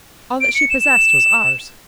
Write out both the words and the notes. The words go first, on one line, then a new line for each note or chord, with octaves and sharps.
All that she possessed was ours.
D7
C#7
E7